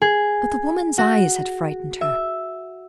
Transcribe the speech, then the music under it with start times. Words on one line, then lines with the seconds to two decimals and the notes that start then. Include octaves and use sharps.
But the woman's eyes had frightened her.
0.02 G#4
0.98 F#4
2.01 E5